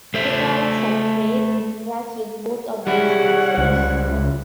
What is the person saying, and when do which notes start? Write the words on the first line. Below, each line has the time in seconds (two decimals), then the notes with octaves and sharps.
Heparan sulfate interacts with both of these clusters.
0.14 A3 C5 E5
2.87 G3 E4 G4 G#4 C#5 F#5
3.58 C#2 C5 F#6